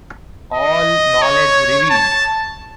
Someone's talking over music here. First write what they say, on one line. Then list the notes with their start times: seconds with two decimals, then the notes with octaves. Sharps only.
All Knowledge Revealed.
0.54 D#5
1.22 C#5
1.90 A5